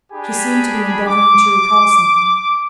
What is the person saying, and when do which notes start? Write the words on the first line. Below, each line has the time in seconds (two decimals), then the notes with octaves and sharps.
She seemed to be endeavoring to recall something.
0.13 D4 G4 G#4 G#5 B5
1.07 D6